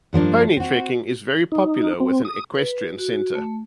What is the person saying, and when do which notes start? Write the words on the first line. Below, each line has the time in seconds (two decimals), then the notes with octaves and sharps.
Pony trekking is very popular with an equestrian centre.
0.13 G2 F3 A#3 D4
0.57 C4 F#4
1.52 D#4
2.00 C4
2.25 D#6
2.55 B4
2.98 F#4
3.35 A3